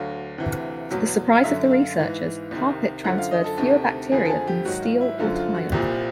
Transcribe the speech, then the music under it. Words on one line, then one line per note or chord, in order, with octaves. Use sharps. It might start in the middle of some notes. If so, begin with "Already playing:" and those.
To the surprise of the researchers, carpet transferred fewer bacteria than steel or tile.
Already playing: D2 D3 F#3 F5
D2 C3 E3
E2 B2 F#3
F5
F#2 D3 F#3 E5
F5
G#2 E3
C2 C3 D#3
F#2 D3 F3 F#5
F5
D#5
A4
D2 C3 D#3
F2 D3 F3 G#4
A4
G#4
G4
G#2 D#3 F#3 F#4
F4
E4
F#2 D3 F3 F4
F4
F#4
C2 A#2 F3 G4